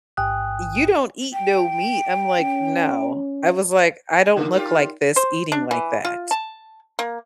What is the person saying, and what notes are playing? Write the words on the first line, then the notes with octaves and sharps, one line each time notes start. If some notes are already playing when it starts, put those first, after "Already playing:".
"You don't eat no meat," I'm like, "No." I was like, "I don't look like this eating like that."
A1 G#2 G5 G#5 D#6 F#6
G5
C#4
G#5
G2 C#3 A#3 D#4 A#4
F4 G4
C5
D4
E3
F4
A5
A#3